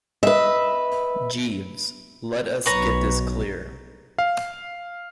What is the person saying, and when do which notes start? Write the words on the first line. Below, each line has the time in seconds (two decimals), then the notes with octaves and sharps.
Jeeves, let us get this clear.
0.23 B4 D#5 E5
2.66 B1 B4 C#5 A#5
4.19 F5